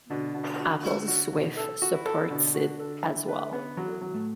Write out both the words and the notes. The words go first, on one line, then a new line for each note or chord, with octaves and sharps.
Apple's Swift supports it as well.
B2 D3 D4
B2
F#4
F#4
F#4
B2
A4
F#4
E3 E4
A4
B2 D3 D4
F#4
A4
E4
B4
B3
E3 F#3
F#3
A2 A3